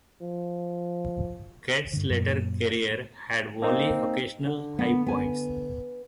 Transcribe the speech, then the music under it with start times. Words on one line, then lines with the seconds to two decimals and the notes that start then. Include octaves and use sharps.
Kert's later career had only occasional high points.
0.21 F3
1.93 G2 D3
2.10 F#2 A#2
3.62 A#3 C4 D#4
4.46 D3
4.79 B3
5.06 B3 G#5